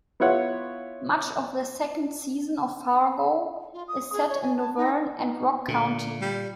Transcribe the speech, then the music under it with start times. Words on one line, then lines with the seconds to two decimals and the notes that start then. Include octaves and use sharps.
Much of the second season of "Fargo" is set in Luverne and Rock County.
0.20 B3 E4 F4 C#5 F#5
3.74 F4
3.88 D#6
4.13 G#4
4.28 C#5
4.42 G#5
4.57 A5
4.77 D#4
5.19 B3 D#4
5.68 A#2 D3 A3
6.22 G3